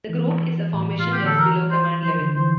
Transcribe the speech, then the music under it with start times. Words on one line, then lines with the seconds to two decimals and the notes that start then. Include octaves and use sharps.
The group is a formation just below command level.
0.09 E3
0.74 A2
0.89 A2
1.00 F4
1.13 G4
1.22 D3 A4
1.38 E3 A#4
1.71 C5
2.03 F3 C5
2.19 D3
2.35 E3 C5